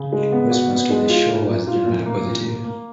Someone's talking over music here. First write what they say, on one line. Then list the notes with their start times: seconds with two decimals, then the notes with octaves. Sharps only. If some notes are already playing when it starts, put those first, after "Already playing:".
Response to the show was generally positive.
Already playing: C#3
0.13 G#3
0.32 B3
0.51 F#4
0.71 B3
0.90 G#3
1.10 F4
1.29 A#2
1.49 A#2
1.67 F4
1.87 A#2
2.06 A#3
2.26 A#2
2.45 A#3
2.64 A#3